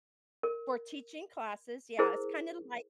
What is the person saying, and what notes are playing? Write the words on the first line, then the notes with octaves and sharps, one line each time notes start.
for teaching classes, yeah. It's kinda like
A#4
E4 G#4 A#4 C5